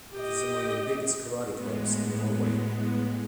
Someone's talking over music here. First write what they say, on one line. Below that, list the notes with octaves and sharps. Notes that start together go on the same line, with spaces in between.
It is among the biggest karate clubs in Norway.
G4 D#5
A2 G#3 B3